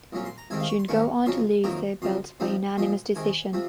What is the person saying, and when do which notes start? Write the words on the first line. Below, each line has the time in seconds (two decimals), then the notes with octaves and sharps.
She would go on to lose the belt by unanimous decision.
0.12 C2 A#2 F#3 C#4
0.25 C6
0.38 A#5
0.50 C2 C3 D#3 G#3 C4 G#5
0.60 F5
0.69 C#6
0.79 C6
0.88 G#2 D#3 A#3 C#4 C#6
1.26 F2 C#3 F#3 C#4 C6
1.64 F2 C3 D#3 F#3 A#3 A#5
2.02 F2 C#3 F#3 C6
2.40 C3 F3 C4 D#4
2.78 A#2 F3 G#3 C6
3.16 C3 D#3 G#3 G#5
3.53 C3 F3 C4